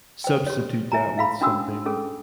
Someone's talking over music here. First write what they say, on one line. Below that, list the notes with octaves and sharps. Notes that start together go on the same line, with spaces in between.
substitute that with something
C5 G5
G4 C#5
E5 G#5 A#5
E5 F5 B5
C#4 D4 F#4 D#6 E6
C#4 G#4 A4